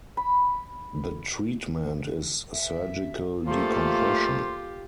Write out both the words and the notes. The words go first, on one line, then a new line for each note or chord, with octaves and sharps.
The treatment is surgical decompression.
B5
E5
A#2 F3 A3 A#3 F4 G4 A4 C6